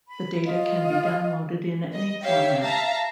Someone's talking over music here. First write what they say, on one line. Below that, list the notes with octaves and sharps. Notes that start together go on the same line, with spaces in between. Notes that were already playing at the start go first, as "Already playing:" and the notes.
The data can be downloaded in any format.
B5
F4 D#5
D#5
G4 C#5 E5 F5 G5
E5 F5 A5 A#5